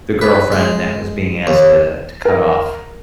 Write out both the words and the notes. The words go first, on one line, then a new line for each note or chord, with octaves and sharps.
the girlfriend that was being asked to to cut off
B4
G#3
D#2
A#4